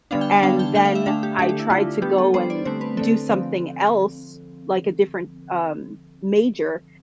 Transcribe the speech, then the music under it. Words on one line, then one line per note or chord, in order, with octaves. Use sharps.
And then I tried to go and do something else, like a different, um, major,
D3 G3 B3 D4 F5
G5
A5
D3 G3 B3 D4 F5
G5
D3 A3 D4 G5
F5
E5
D3 A3 D4 F5
G4
D3 A3 D4 G4
G4
E4
D3 A3 D4 F4
G3 B3 D4 G4
A4
G3 B3 D4 C5
D5
D3 A3 C4 C5
B4
D3 A3 C4 A4
D3 F3 C4